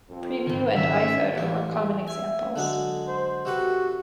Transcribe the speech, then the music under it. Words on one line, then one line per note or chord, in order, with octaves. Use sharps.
Preview and iPhoto are common examples.
F2
G#1 D#3
D#3 C#4 E5
A1 A#3
G#4
E5 G#5
D3 F#3 G#3 A4
C5
C3 F#4 A4 B4